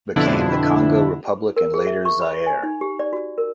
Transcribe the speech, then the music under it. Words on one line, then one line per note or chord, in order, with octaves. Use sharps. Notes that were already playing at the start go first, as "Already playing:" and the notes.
Became the Congo Republic and later Zaire.
F2 B2 D3 D4 E4
A#4
G#4
E5
C#6
B5
G#5
D#4
G4
D5
F#4
A#4